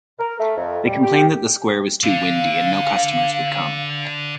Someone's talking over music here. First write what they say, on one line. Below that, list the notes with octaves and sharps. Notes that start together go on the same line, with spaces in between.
They complained that the square was too windy and no customers would come.
A#4
A3
F2
G3
G4
D3 F5